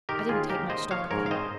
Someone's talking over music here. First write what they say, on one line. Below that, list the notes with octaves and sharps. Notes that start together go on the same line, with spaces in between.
I didn't take much stock of him.
D#3 G4 A#4
D#2 F4 G#4
G#3 G4 A#4
D#2 C5 D#5
F3 C#5 F5
G#2 A#4 C#5
F5
C4 C5 D#5